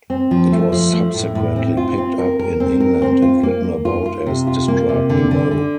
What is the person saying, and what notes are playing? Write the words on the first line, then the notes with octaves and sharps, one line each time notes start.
It was subsequently picked up in England and written about as described below.
C4
F3
A3
F3
A3
A2
A2
C4
F4
C4
A#4
A#4
C4
A#4
C4
F4
A#3
A#3
F4
F4
C3
F4
A#3
C3
D3
D3
D3